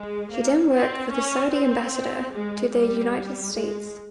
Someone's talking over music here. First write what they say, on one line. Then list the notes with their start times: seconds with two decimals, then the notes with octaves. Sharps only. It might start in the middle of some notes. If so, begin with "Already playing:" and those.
He then worked for the Saudi ambassador to the United States.
Already playing: G#3
0.33 A#3
0.73 C4
1.13 C#4
1.53 C4
2.33 G#3
2.73 G3
3.54 G#3